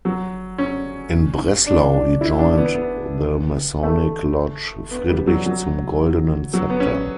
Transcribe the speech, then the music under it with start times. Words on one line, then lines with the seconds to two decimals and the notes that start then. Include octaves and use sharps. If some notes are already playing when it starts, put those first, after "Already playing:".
In Breslau he joined the masonic lodge "Friedrich zum goldenen Zepter".
0.05 F#3
0.58 C#4
1.66 D4
1.94 D4
2.21 E4
2.38 D4
2.57 B3
2.75 B3
3.83 A3
4.91 B3
5.09 G3
5.27 F#3
5.46 F#3
6.53 F#3
6.70 B3
6.80 C#4